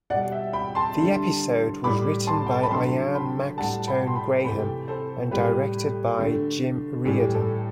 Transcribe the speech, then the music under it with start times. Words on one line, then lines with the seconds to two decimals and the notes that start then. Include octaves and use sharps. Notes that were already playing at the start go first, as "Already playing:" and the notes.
The episode was written by Ian Maxtone-Graham and directed by Jim Reardon.
0.10 B2 D5 F#5
0.15 G3
0.32 E5 G5
0.53 G5 B5
0.75 A5 C6
0.97 D3 G3
1.84 A2 G3 B5 D6
2.27 A5 C6
2.46 G5
2.55 A5
2.63 B5
2.71 D3 F#3 A3 A5 C6
3.14 G5 B5
3.58 A2 G3 F#5 A5
3.87 G5 B5
4.07 C6
4.15 G5 B5
4.45 C3 E3 A3 G5 B5
4.88 A4 C5
5.31 A2 G3 G4 B4
6.19 D3 A3
7.05 A2 E3 G3 G4
7.34 A4